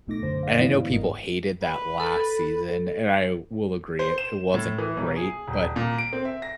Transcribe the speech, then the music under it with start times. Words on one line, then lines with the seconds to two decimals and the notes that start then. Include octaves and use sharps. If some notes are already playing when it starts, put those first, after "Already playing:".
and I know people hated that last season and I will agree it it wasn't great, but
0.07 B1 B2 A3 D#4 D6 A#6
0.22 F#2 D3 C5
0.43 D5 F5
0.58 G2 E3 A3 B3 E4
0.74 G#2
0.90 G1 A#4 D#5
1.62 B4
2.00 A4
3.99 C5
4.18 E7
4.54 A2
4.78 E3
4.97 B1
5.16 G#4
5.48 D#1
5.76 A#2
5.98 D7
6.13 C4
6.25 E5
6.42 A#6